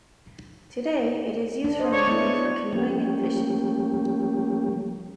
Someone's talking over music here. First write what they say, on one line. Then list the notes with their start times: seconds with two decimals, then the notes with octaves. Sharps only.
Today, it is used for mainly for canoeing and fishing.
1.64 D4
1.80 C5 D#5
1.93 C#5 D5
2.08 B3 E4
2.73 F3 G3 A3 A#3 C#4 G4